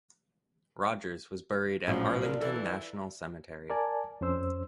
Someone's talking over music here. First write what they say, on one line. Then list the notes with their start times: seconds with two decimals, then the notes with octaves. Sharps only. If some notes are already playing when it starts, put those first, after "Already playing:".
Rogers was buried at Arlington National Cemetery.
1.87 A#1 A2 F3 F#3 C#4
2.21 D4 F4 A#4 B4
2.41 E3 A4 D5
3.70 A#4 D5 G#5 A5
4.21 F2 C#4 C5 E6